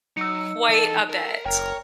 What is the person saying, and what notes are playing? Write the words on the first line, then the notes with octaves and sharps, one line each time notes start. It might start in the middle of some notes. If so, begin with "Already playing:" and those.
quite a bit,
F#3 D#4 E6 C#7
E3 A4 D#5
A4 A#4
F#1 A#4 C#5 G5